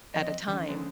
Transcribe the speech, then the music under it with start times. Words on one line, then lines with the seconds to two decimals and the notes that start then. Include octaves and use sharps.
at a time,
0.14 F3 C4 D#5
0.47 D3 E3 C#4
0.68 D3 F3 G#3 A3 C#4